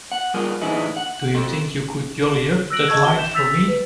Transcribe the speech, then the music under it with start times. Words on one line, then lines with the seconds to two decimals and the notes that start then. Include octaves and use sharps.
Do you think you could jolly up that line for me?
0.12 F#5
0.34 G3 F4 G#4 A#4
0.61 A2 D3 E3 D#4 E4 G#4
0.97 F#5
1.35 C4 A4
2.70 E6 F#6 A#6 D7 F#7
2.88 D#5 A5 C#6 E6 G#6
3.05 F#4 G7
3.18 G6 E7
3.35 E6 A6 B6 F7
3.68 B4